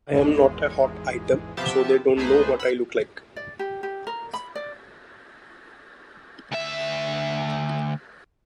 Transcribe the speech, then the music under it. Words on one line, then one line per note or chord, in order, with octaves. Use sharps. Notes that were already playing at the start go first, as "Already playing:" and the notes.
I'm not a hot item, so they don't know what I look like.
G#1 E2 G#3
C3 F3 B3 G4 E5 A5
C#2 A3 D#4 G#4 B4 C5
F#5 B5 E6
D5
G4
G4
A#4
B5
D5
D2 E5